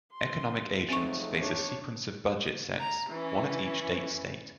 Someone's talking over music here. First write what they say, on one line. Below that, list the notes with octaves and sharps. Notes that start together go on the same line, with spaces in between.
Economic agents face a sequence of budget sets, one at each date-state.
C6
F2 G#2 F#3 A3 C4 C#6
D4 C#5
A#5
E3 C#4